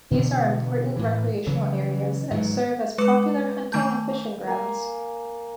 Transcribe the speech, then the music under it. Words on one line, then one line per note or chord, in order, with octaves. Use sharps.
These are important recreational areas, and serve as popular hunting and fishing grounds.
B2 D3 E3 B3
A2 E3
C#3 E3 F#3
G#2 D#3 E3 F#3
G#3 B4 D6 C#7
D#3 A3 A5 G6
A#3 G#5